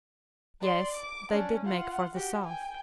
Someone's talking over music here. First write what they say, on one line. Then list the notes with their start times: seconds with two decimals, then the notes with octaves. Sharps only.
Yes, they did make for the south!
0.61 D5 C6
0.94 D6
1.31 C#4 D4
1.64 F4 F#5
2.14 F#4 G4
2.44 G5 G#5